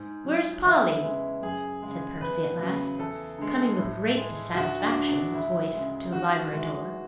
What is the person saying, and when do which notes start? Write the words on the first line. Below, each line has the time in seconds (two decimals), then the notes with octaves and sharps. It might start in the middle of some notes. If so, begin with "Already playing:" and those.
"Where's Polly?" said Percy at last, coming with great dissatisfaction in his voice to the library door.
Already playing: G#2
0.25 F#3
0.64 E2 E4
1.03 C#3 E3 G#3
1.42 F#2 G#4
1.82 C#3 G#3
2.21 E2 B4
2.59 C#3 F#3
2.99 E2 A4
3.38 D3 G#3
3.77 A2
4.17 G#3
4.55 D2 F#4
4.81 D4
4.95 D3 G#3
5.08 D4
5.34 D2 E4
5.73 C#3 G#3
6.12 G#2 F#4
6.51 E3 G#3